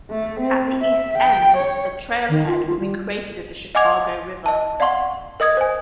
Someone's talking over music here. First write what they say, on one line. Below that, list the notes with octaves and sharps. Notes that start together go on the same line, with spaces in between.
At the east end, a trailhead would be created at the Chicago River.
A3
C4
E5
G5
C#5
D#3
F4
F4
G3
D#5 F#5 G#5 D6 G#6 F7
D#5 A5
D5 F5 F#5 C6 C#6
A#4 D#5 D#6 G#6
C5 G#5